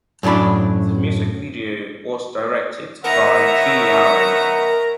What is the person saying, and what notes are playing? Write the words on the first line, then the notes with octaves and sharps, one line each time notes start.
The music video was directed by Kii Arens.
F#2 A2 F#3 D4 B5
D#3 B3 A#4 C#5 E5 F#5 A#5